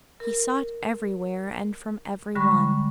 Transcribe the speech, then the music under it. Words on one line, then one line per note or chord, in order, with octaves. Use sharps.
He sought everywhere and from every one.
A#4
D3 G3 G#3 B5 C#6